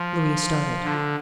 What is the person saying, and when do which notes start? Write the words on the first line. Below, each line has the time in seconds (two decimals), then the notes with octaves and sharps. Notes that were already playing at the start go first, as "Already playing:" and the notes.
Louis started.
Already playing: F3
0.84 D3